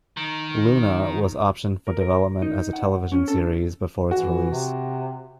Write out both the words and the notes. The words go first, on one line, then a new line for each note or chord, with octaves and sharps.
"Luna" was optioned for development as a television series before its release.
D#3
A#4
A#4
D#4
F#5
C#4
A4
E3 F#4
C3